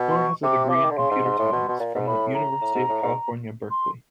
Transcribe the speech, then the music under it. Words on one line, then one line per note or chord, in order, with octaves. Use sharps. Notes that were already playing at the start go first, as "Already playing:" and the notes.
Moore has a degree in computer science from the University of California, Berkeley.
Already playing: B2
C6
C#6
C3 D6
F3 D6
E3
D#3
D3
C#3 C6
G#2
G#2
A2
B2
B2
A#2
G#2
A2 B5
A#5
A2
G#2
A2
G#2
C6